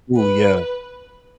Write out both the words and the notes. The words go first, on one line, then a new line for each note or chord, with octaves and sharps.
Ooh, yeah.
B4